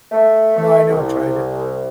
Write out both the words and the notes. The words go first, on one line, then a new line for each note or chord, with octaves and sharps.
No, I never tried it.
A3
A3
C2